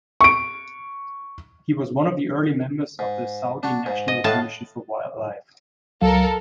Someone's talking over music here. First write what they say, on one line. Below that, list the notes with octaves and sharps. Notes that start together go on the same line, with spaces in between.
He was one of the early members of the Saudi National Commission for Wildlife.
C#6 D7
G#2
D4 F#4
G#2
D#5
A2 D#5 F5 F#5 A5
C#2 F#3 A4 A#4 F5